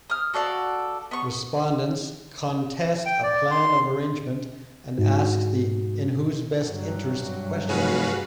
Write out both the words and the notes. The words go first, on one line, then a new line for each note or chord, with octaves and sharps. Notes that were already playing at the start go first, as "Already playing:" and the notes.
Respondents contest a Plan of Arrangement and ask the "in whose best interest" question.
D#6 F6
F#4 A4 D5 F5
B3 C#6
G5
D5
C6
G#2 F#4
G2 F#3
F1 F#4 G#4 B4 C#5 F5